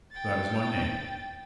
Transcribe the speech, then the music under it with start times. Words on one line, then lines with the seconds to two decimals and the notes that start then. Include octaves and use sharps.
"That is my name."
0.12 G5 A6